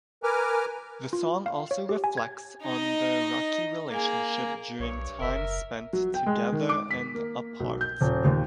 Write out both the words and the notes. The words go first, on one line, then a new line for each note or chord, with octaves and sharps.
The song also reflects on their rocky relationship during times spent together and apart.
A#4 B4 G#5 D6 F6
F4
F5
C#5
G4
G#5
G#6
D#4 D#5
A#3 G#4
B1 G2 C#5
F#1 A#4 E5
F#3
G5
G#3
D#3
D6
B6
A#3
B1
G6
D#1
D#2